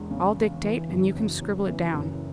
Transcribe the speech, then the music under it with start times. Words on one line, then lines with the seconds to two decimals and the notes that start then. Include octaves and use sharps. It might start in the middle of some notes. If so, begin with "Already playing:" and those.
I’ll dictate, and you can scribble it down.
Already playing: E1 E2 G#3
0.11 C#3
0.37 E1
0.63 E3
0.89 F#1
1.15 F#2
1.42 F#1
1.67 E3
1.94 F#1